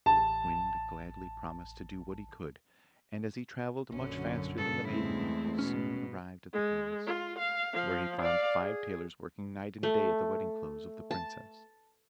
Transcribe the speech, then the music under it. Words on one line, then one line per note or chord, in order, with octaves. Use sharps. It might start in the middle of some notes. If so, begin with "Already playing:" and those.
The Wind gladly promised to do what he could, and as he travelled much faster than the maiden he soon arrived at the palace, where he found five tailors working night and day at the wedding clothes of the princess.
A1 A5
A#1 F#2 D3 C#4
G2 C#3 A4
E2 G#3 A3 C4 E4
B2 C#4
G#3
F4
F5
F3 F5
D5 F5
G#4
A3
A5